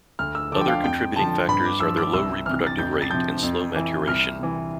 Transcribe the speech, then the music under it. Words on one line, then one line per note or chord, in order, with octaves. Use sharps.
Other contributing factors are their low reproductive rate and slow maturation.
D2 F6
E6
D3 F3 D6
G5
F5
F2 G5
D3 F3 A5
G2 B5
D6
F3 E6
D6
C2 E6
C3 E3 F6
A6
F2 G6
A6
C3 F3 G6
F2
E3
C2 F6
C3 E3